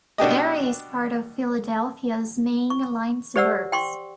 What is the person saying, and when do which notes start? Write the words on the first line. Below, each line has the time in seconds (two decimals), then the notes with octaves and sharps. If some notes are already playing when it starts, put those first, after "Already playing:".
The area is part of Philadelphia's Main Line suburbs.
0.18 B2 D4 G4 D#5
2.70 C#6
3.36 G4 C5 D5 F#5 E6
3.72 G5 C6 C#6